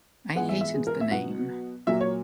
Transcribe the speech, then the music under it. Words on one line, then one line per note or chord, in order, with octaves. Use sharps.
I hated the name.
G#2 E3 G#3 B3 F#5
E5
E5
G#4
A#4
E5
B2 F#3 B3 F#5
A#2 F#3 A#3 E5
C#5